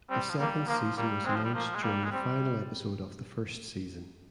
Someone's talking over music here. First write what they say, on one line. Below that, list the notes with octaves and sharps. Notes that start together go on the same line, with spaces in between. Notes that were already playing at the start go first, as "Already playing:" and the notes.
A second season was announced during the final episode of the first season.
G3 C4
F3
G3 A#3
F3 A#3
G3 A#3
G#3 C4
F3
G3
F3 A#3
G#3
G3 A#3
G#3
G3 C4